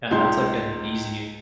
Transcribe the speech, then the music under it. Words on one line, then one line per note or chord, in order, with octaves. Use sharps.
And that's like an easy
C#2 D#4 C6 G6